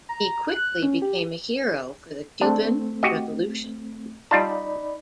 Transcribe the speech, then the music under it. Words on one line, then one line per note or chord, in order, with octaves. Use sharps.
He quickly became a hero for the Cuban revolution.
A#5
F#6
C#4
G4
A3 C4 D4
F#4 G4 D#5
G3 D#4 F4 D5 A5 B5